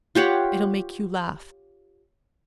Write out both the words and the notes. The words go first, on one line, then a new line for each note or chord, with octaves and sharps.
It'll make you laugh.
F4 G4 C#5 F#5